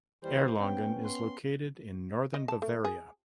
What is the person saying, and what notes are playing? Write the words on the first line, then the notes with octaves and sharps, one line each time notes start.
Erlangen is located in northern Bavaria.
D#2 E3 G3 C5
B3 C#4 G5
C6
D#5
A5
A3
G#4